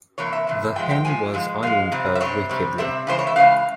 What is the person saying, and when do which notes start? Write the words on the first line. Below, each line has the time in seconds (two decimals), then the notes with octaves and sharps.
The hen was eyeing her wickedly.
0.18 C3 E3 A#3 C#5
0.33 E5
0.47 C3 E3 A#3
0.76 G#2 F3 G#3 G5
0.91 G5
1.05 G#2 F3 G#3 G#5
1.34 G#2 F3 G#3
1.63 G#2 F3 G#3 F5
1.92 C3 G3 C4
2.15 E5
2.21 C3 G3 C4 C#5
2.49 C3 G3 C4
2.78 C3 G3 C4 E5
3.07 C#3 E3 G#3 C5
3.19 C#5
3.27 E5
3.36 C#3 E3 G#3 F5